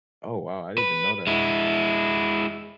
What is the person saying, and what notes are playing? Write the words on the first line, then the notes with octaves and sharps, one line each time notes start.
Oh, wow. I didn't even know that.
B4
G#3 E4